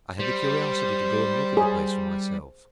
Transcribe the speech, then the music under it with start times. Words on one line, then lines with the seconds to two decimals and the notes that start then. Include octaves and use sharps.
I had the curiosity to go and look at the place for myself.
0.20 G3 C5
1.57 G#4